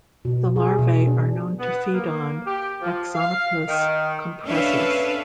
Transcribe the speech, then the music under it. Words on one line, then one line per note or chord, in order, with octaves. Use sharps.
The larvae are known to feed on "Axonopus compressus".
B2
G#4
B2
D4
B3
A#3
G4
F3
F5
D#3
C#4 D4 A4 B4 E5 F5